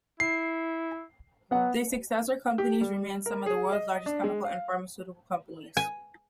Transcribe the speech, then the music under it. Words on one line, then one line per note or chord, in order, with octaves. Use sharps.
The successor companies remain some of the world's largest chemical and pharmaceutical companies.
E4 C7
F#3 B3 F#5
G4
G3
A#4
G#4
D#5
D4
G#3
F5
G#5